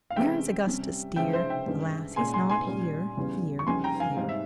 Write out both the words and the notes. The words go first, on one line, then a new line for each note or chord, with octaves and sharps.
'Where is Augustus dear? Alas! he's not here, here, here!'
F5
C3 E3 G#3 C#4 E5 G5
C3 G3 C#4
C#3 F3 G#3 C#4 E5 G5
C5 E5
E5 G5
G2 E3 G#3 C#4
A#2 G#3 C#4 G#5 C6
G#5 C6
G#5 C6
A#2 G3 C#4
E2 C#3 E3 G3 C#4
C#6
F2 C#3 E3 G3 C#4 G#5 C6
G5 A#5
F5 G#5
G#2 G3 C4 F5
E5